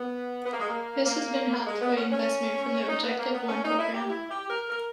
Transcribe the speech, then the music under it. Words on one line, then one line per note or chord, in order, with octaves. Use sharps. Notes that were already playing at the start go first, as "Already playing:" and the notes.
This has been helped by investment from the Objective One programme.
Already playing: B3
B3
A#3
G#3
A#3
A#3
A#3
G#3
B3
C#4
C#4
D#4
B3
A#3
B3
C#4
D#4
E4
G4
E4
G4
A#4
A#4